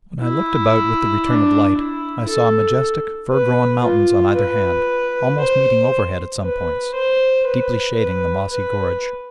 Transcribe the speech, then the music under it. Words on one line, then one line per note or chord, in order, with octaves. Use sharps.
When I looked about with the return of light I saw majestic fir-grown mountains on either hand, almost meeting overhead at some points, deeply shading the mossy gorge.
E4
D4
E4
A4
B4
F4
B4
C5
B4
C5
B4
B4
B4